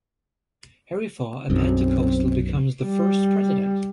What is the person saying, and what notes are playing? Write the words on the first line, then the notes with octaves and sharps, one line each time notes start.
Harry Faugh, a Pentecostal, becomes the first president.
B1 F#2 C4
G3